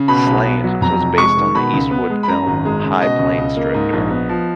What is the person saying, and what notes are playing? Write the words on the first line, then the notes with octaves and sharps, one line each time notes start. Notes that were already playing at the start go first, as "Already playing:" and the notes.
"Slain" was based on the Eastwood film "High Plains Drifter".
Already playing: C#3
B2 B5
B1
B3
F#3
F2 A#5
F1
G#3 C#6
D#3
B2 B5
C#2
B3
G#3
B5
F#2 A#5
G#1
G#3
C#3
B2 D#5
C#2
C#2
A#3
G#2
A#1
B3
F3